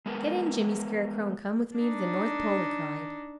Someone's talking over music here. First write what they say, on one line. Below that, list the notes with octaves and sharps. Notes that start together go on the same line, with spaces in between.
"Get in, Jimmy Scarecrow, and come with me to the North Pole!" he cried.
G#3 B3 A#4
D4 D#4